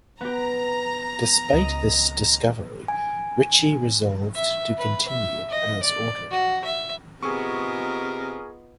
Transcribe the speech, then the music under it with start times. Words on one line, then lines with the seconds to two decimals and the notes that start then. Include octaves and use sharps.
Despite this discovery Ritchie resolved to continue as ordered.
0.21 B3 G4 A#5
1.53 C#2 D#5
2.88 G#5
4.35 E5
4.78 B4
5.08 E5
5.50 D#5
5.83 D5
6.31 F#4
6.65 E5
7.23 C3 B3 D#4 F4 G#4 A#4 C#6